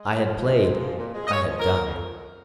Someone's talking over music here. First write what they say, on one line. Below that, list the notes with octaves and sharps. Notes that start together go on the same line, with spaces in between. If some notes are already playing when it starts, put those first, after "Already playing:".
I had played--I had done.
Already playing: G#3
G#2
F3
G#3
G#2
F3
A#2
G#3
D#5
G#3 C#5
F3
A#4
A#2
F2